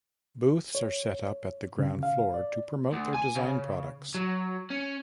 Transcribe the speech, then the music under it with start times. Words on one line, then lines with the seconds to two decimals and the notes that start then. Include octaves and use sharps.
Booths are set up at the ground floor to promote their design products.
0.75 C#5
1.79 C#3
2.03 F5
2.34 D5
2.93 D2
3.15 G#5
3.35 C#3
4.15 F#3
4.71 C#4